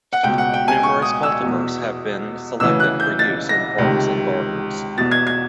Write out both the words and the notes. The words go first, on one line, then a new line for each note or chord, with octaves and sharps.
Numerous cultivars have been selected for use in parks and gardens.
F#5
C#2 B2 G5
F#5
G5
G#5
C#6
D#6
E6
E2 B2
D2 C#3 E3 E6
F#6
G6
A6
A#6
C#2 C3 D#3
E2 B2 A6
G#6
G#6